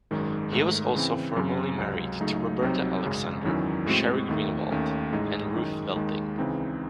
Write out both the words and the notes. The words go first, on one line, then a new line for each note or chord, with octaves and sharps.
He was also formerly married to Roberta Alexander, Sheri Greenawald and Ruth Welting.
G#1 F#2 D#3 G#3
G#2 D#3 A3
C#3 E3 C4
F#2 C#3 F#3 C4
C#2 C3 F#3
C#2 C#3 F#3 A3 D#4
C2 C3 F#3 C4 D#4
G#1 F#2 C#3 G#3
E2 D#3 F#3 C#4 E4
A2 G#3 C4 F#4
D#2 D#3 A3
D#2 D#3 A3 C#4
A1 A2 G#3 D#4 G#4
F#2 D#3 G#3
D#2 D#3 G#3
C#2 C#3 E3 C4 D#4